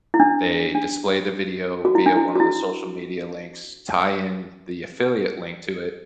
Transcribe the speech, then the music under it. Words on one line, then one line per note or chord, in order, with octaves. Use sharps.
They display the video via one of the social media links, tie in the affiliate link to it,
E4
D4
D4
F#4
E4
D4
E4
F#4
E4